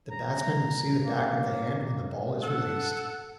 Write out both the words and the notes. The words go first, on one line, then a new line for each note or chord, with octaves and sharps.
The batsman will see the back of the hand when the ball is released.
A#5
A#3
A4 F#5